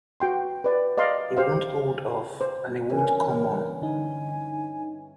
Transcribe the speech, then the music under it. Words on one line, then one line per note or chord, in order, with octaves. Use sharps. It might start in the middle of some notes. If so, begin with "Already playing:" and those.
He won't hold off, and he won't come on.
F#4 G5 C6
B4 D5
D5 D#5 F5 C6
G4 C5 F5
C5
G2 E3 C#4 A#4
D3 D#4 G#5